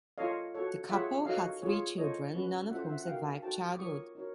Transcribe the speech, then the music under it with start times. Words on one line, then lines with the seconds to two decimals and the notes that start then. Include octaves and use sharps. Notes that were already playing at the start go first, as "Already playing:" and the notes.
The couple had three children, none of whom survived childhood.
0.18 F4 A4 C#5 D#5 F5
0.54 F#4 A4 C#5
0.89 F4 G#4 C#5 E5 F#5
1.26 D#4 F#4 A4 C#5 D#5 F5
1.62 F4 G#4 C#5
1.98 F4 A4 C5 C#5 D#5
2.35 C#4 F#4 B4
2.70 C#4 F4 A4 C5 E5 F#5
2.88 E5 F#5
3.00 F#5
3.07 D#4 F#4 A#4 F5 G5
3.42 D#4 F#4 A4 C5 G5 A5
3.74 D6
3.79 F4 A#4 C#5 C#6 D#6
4.15 D#4 F#4 A#4 C#5